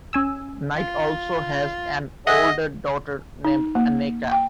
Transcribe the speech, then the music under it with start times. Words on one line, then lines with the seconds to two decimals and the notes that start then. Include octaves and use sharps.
Knight also has an older daughter named Aneka.
0.13 C#4 G#5 E6
0.76 F4
2.27 G#4 D#5 E5 F#5
3.45 D#4
3.75 A#3
4.32 G5